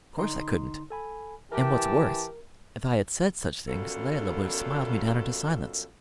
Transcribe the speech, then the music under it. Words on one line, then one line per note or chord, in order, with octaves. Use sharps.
Of course I couldn't; and what's worse, if I had said such things Layelah would have smiled me down into silence.
D3 D#4 C6
A4 G#5 B5
E3 G4 A#4 A5
F#2 B2 G3 F4 A4